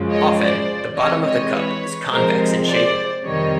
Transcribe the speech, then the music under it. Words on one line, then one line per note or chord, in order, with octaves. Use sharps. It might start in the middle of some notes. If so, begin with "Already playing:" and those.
Often, the bottom of the cup is convex in shape.
Already playing: F#2 C#3 F3 G#3
C#5 D#5
C5 D5
C3 E3 G#3 C#5 D#5
C#5 D#5
B4 C#5
C3 F3 G#3 A#4 C5
C5 D5
F2 C3 D#3 G3 C#5 D#5